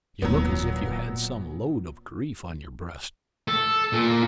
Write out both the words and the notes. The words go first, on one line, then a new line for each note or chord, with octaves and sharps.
You look as if you had some load of grief on your breast.
D#1 A#2 F#3 B3
A4
A#2